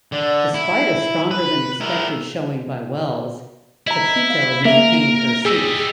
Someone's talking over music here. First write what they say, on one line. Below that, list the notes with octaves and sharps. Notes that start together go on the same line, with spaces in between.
Despite a stronger than expected showing by Wells, Capito maintained her seat.
D3
E4
B4
E4 A#4
E4 D#5 A#5
F5
A#3 A#4 E5 F5
G3 G#4 D#5 E6